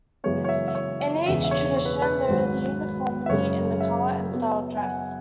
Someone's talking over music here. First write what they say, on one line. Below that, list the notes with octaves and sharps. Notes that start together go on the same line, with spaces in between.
In each tradition there is uniformity in the colour and style of dress.
F#1 F#2 E3 G#3 B3 C#5
C#5
E5
E5
C#5
E5
E1 E2 C#3 E5
E5
C#5
C#5
B4
B4
G#1 G#2 F#3
E5
F#1 F#2 C#3 G#3 C#5
E5
F#2 F#3 B3
G#5
F#5